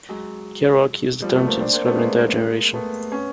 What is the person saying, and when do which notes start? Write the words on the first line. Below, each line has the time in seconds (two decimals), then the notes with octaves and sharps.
Kerouac used the term to describe an entire generation.
0.09 F#3 G#3
1.22 F3 G3
1.35 A3 B3
1.47 A#3 C4
1.60 C4 D4
1.73 A#3 C4
1.85 A3 B3
1.98 G#3 A#3
2.74 A3 B3
3.11 B3 C#4